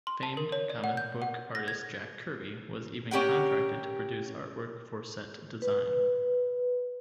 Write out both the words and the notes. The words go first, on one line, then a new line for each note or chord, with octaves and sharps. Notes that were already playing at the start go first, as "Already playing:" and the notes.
Famed comic-book artist Jack Kirby was even contracted to produce artwork for set design.
C6
A5
A#4
C#5
D5
F#5
G6
F#5
A#6
G#6
C#4 G4 A#4 F#5
B4